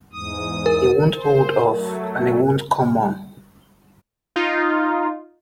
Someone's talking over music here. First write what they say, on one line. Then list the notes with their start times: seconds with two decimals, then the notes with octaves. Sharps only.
He won't hold off, and he won't come on.
0.13 E2 G#2 D#6
0.66 A#4
1.15 C5
1.68 F#3 A3
4.36 D#4 F4